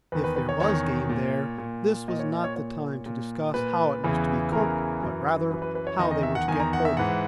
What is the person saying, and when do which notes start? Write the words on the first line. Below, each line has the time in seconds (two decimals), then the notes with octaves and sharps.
If there was game there this was not the time to discuss how it was to be cooked, but rather, how they were to get hold of it.
0.12 E2 D#3 B4
0.24 B4
0.36 B4
0.49 C#5
0.60 E2 D#3 C#5
1.09 A#2
1.58 A#2
2.08 A#2 D#5
2.19 C#5
2.33 D#5
2.44 C#5
2.56 A#2 C#5
3.06 A#2
3.54 A#2 B4
4.04 E2 C#3 E3
4.52 E2 C#3 E3 A#4
5.01 F#2 E3
5.50 F#2 B4
5.54 E3
5.62 B4
5.75 B4
5.87 C#5
5.99 E2 D#3 D#5
6.11 D#5
6.23 E5
6.35 F#5
6.48 E2 D#3 G#5
6.60 A#5
6.73 F#5
6.85 E5
6.97 G#2 E3 F#5